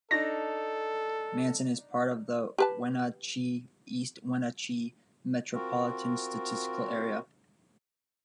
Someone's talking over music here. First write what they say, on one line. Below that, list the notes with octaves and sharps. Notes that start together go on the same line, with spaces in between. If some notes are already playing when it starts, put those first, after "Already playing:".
Manson is part of the Wenatchee-East Wenatchee Metropolitan Statistical Area.
D4 D#4 A4 A#6
G4 B4 A5
C4 F4 F#4 A#4